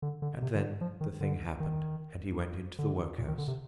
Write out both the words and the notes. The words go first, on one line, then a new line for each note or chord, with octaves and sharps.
And then the thing happened, and he went into the workhouse.
D3
D3
C3
D3
F3
D#3
D3
D#3
D3
A#2
D#3
D3
C3